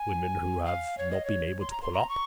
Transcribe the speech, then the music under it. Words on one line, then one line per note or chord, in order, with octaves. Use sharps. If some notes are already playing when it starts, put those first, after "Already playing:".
"The women who have--not been able to pull up?"
Already playing: G#5
F5
C#5
D#5
C#5
C6
A#5
C6
A#5
C#6